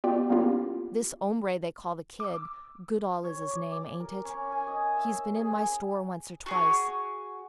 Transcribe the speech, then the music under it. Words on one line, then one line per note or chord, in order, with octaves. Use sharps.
This /hombre/ they call the Kid--Goodall is his name, ain't it?--he's been in my store once or twice.
B3 F4 G4 D5 G5
A#3 B3 C#4 E4 F4 G4
D6 E6
C#5
D5
D6
A#4
C#4
G#5
D#5
E5
G#4
F#4 G#4 C#5